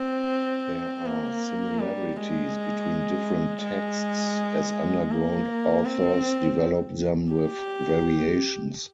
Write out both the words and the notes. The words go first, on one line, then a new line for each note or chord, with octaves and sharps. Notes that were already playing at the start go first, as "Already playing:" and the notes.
There are similarities between different texts as underground authors developed them with variations.
Already playing: C4
A#3
G3
G#3
G#3
A#3
C4
G4